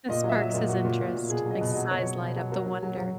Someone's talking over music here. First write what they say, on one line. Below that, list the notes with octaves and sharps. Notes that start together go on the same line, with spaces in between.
This sparks his interest, makes his eyes light up, the wonder.
A#2 D#5
F#3
E5
F#3
A#2 D#5
A#2 F#4
A#2
A#2
A#2
B2 G#4
F#3 D#5
B2
F#3 D#5
B2 C#5
B2
B2
F#3
F#3 A#4
F#3
F#3
F#3